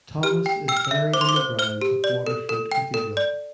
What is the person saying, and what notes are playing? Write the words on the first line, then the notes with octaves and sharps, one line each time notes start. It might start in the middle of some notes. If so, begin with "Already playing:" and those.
Thomas is buried in the grounds of Waterford Cathedral.
G4 F6
G5
G5 E6
F6
E6
E5
C5 D6
C6
D6
C5
C5 F6
G4
D5
A4
A4
G5
A4
D5